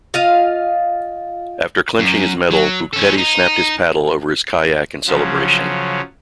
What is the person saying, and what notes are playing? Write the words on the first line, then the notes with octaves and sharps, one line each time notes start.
After clinching his medal Boukpeti snapped his paddle over his kayak in celebration.
F4 D#5 F5
F#2
F#3
C#4 A4
D#4
C#3 F3 F#3 C#4